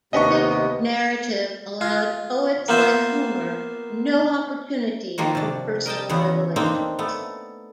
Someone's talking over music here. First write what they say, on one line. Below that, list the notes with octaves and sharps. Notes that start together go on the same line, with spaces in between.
Epic narrative allowed poets like Homer no opportunity for personal revelations.
D#2 C3 B3 D#5 C#6
F4
A#3 B3 F4 C5 E5
D#3 F3 A#3 F#4
C3 D4
A#4 D#5 G5 A5
E2 C#3 B3 F#5
A#3 C4 D4 D#4
A3 B3